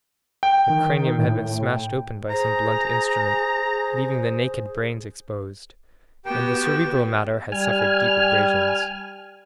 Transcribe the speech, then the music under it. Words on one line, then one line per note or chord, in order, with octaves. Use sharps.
The cranium had been smashed open by some blunt instrument, leaving the naked brains exposed, and the cerebral matter had suffered deep abrasions.
G5
D#3
A2
G#4 C5 A#5
B3 F#4 G4 G5
G3 G#5 F6